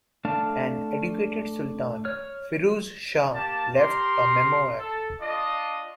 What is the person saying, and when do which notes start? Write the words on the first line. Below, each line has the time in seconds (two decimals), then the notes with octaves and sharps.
An educated sultan, Firuz Shah left a memoir.
0.25 A3 D4 F5 A5
2.05 C#5 F6
3.33 A#3 G4 A5
3.76 G4 A#4 C6
4.77 A4
5.21 D4 F4 D#5